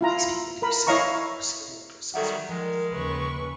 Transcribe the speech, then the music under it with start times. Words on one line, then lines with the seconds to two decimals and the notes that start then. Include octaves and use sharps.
These people, you say, are skilled workers and so forth.
0.01 E4 F4 A#5
0.62 A#4 B5
0.87 E4 C#5 D#5 F5 A#5 C#6
2.14 D#3 F#3 G3 A4 E5 F#5
2.49 D#3 F3 G#3 A#4
2.93 D#2 C#3 B4 C#6